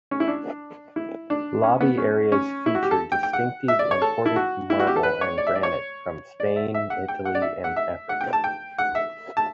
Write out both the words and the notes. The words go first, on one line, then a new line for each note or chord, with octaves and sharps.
Lobby areas feature distinctive imported marble and granite from Spain, Italy and Africa.
C#4
E4
D4
E4
D4
C#4
B3
C#4
C#4
E4
F#4
G4
A4
G5
G5
F#5
E5
D5
C#5
A4
E4
F#4
E4
F#4
G4
A4
B4
C#5
D5
E5
D5
C#5
D5
E5
E5
F#5
G5
F#5
D5
E5
F#5
E5
F#5
G5
A5
G5
F#5
E5
A5